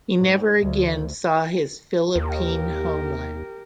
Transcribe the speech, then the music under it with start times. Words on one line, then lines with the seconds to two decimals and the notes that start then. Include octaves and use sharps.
He never again saw his Philippine homeland.
0.19 G#2
0.62 D2
2.16 D#2 G4 A#4